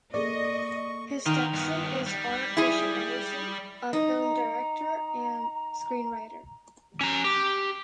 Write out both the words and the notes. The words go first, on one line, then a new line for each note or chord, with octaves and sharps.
His step-son is R. Christian Anderson, a film director and screenwriter.
A#3 G#4 A4 D5 D#5 C#6
D#3 F4 A#4
G2 B3
G3
E4 G#4
D#4 A#5
C#4 A#5
G4